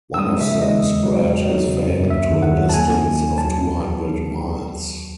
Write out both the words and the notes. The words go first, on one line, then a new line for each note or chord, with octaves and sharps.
One of them spread his fame to a distance of two hundred miles.
E6
G#3 D#6
C#3 E5
G#3 D#5
E2
F#3
E2
F#3
C#3
F#2
D#2 E5
D#3
F#5
F#3
A5
D#2 G#5
D#2
D#2
F#3 A5